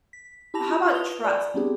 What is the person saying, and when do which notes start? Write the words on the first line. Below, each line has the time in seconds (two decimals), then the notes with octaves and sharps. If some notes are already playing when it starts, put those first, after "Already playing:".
How about trust?
0.13 B6
0.54 E4 G4 A5 B5 A#6 F7
0.68 F4
0.91 B4 D#6 F7 G7
1.24 D5 A#5 B5
1.54 G3 B3 C4 D4 G4 G#4